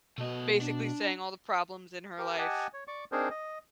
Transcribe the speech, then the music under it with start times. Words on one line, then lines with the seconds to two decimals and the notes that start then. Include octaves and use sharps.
basically saying all the problems in her life,
0.18 B2 A3 D#5
0.62 D4
2.18 G4 A#4
2.38 G4 D#5 F#5 G#5 A5
2.74 C#5
2.88 D5 C#6 D6
3.12 C4 D4 D#4 G#4 A#4 C5
3.30 D#5